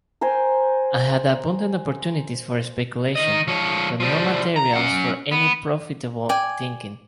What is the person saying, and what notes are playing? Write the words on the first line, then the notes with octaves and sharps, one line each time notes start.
I had abundant opportunities for speculation, but no materials for any profitable thinking.
A#4 C5 G5 G#5
D#3 D#5
F3 C#5
F3 G3
A#5
C#4 F#5
B3
D5 G5 G#5